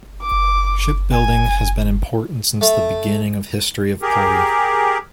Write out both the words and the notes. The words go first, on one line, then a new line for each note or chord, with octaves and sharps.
Ship building has been important since the beginning of history of Pori.
D6
G#5
A3
G4 G#4 A#4